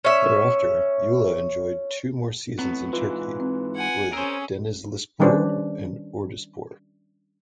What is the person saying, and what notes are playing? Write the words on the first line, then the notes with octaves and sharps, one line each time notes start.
Thereafter, Youla enjoyed two more seasons in Turkey, with Denizlispor and Orduspor.
C#4 E5
A2 B3 C4
G#2 E3 F4 B4
C4
F#5 G#5
C#4 G#4 A#4 C5 E6
D#3 G3 C#4 D4 B4 C5